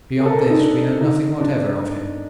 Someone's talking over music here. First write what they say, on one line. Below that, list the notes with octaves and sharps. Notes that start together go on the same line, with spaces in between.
Beyond this we know nothing whatever of him.
G#4
A4
A#4
D#4
D4
D#4
D4